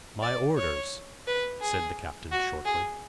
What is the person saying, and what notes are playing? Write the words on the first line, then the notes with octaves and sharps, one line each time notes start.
"My orders!" said the captain shortly.
D5
C#5
B4
G#4
F#4
G#4